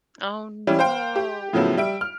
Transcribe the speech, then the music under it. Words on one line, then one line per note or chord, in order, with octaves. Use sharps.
Oh, no.
E3 G3 C#4 E4
C5 F5 G5
G4
A2 C#3 F3 F#3 B3 E4
G3 E5 D7
F6